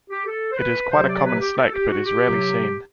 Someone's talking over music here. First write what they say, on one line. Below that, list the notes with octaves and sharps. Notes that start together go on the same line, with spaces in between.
It is quite a common snake but is rarely seen.
G4
A4
C5
B4
C3 F#3 C5
D5
B4
G4
A4
G4
F#4
G4
C3 F#3